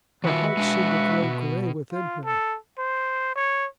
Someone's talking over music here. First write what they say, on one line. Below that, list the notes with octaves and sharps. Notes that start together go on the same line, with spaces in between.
Her heart seemed to grow gray within her.
D#3 F4 F#4 B4 E5
G#3 D4
B2
F4
A4
C5
C#5